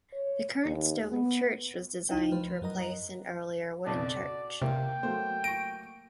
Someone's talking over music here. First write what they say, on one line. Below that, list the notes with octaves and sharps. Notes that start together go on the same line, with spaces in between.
The current stone church was designed to replace an earlier wooden church.
C#5
D#2
B3
C#2 D#4 E4 G5
F3 A3 F4 B4 C5
F#2 F#3 A#4 D#5 A#5
F#1 B1 F2 D5 A5
F#4
C3 A#3 G5
F#3 A3 A#3 C5
C#6 A#6 D7